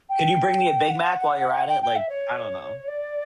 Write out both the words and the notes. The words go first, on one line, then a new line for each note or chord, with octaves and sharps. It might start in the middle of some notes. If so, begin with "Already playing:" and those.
"Could you bring me a Big Mac while you're at it?" Like, I don't know.
G5
F#5
G5
G5
E5
C#5
D5